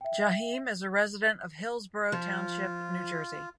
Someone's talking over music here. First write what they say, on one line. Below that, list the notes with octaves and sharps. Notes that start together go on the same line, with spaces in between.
Jaheim is a resident of Hillsborough Township, New Jersey.
E5 G5
F3 F4